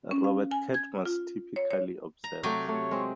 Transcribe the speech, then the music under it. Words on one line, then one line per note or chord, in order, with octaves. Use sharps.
Robert Cadmus typically observes.
C#4
F5
G#5
G#6
F4
C#5
C#5
A#5
C3 F#3 A3 G4 C#6
A3 C#5
G#3 C4